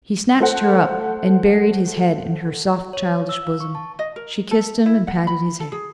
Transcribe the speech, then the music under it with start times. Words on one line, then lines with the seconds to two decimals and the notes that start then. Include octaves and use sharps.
He snatched her up, and buried his head in her soft, childish bosom. She kissed him and patted his hair.
0.41 A3 C5 F#5
2.93 C#5
3.29 E6
3.43 F5
3.60 C#6
3.75 A5
3.99 D#5
4.16 A#4
4.51 A4
4.86 E4
5.07 F#5
5.27 B5
5.60 A4
5.72 G#4